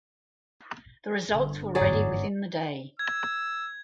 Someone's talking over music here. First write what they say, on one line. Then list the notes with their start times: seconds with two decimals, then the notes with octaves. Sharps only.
The results were ready within the day.
1.28 G1 D3
1.75 G1 E2 G#2 F#3 G#4 D5
2.99 E6 G#6